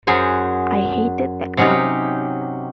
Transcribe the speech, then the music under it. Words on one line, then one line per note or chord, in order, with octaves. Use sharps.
I hated that cover.
F#2 F#3 G#4 C5
C3 F#3 C#4 D#4 G4